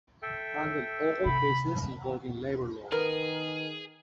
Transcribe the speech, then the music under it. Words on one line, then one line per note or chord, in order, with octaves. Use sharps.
Handle all cases involving labor law.
A4 E5 G5
C3 B5
D#3 B3 G#4 A#4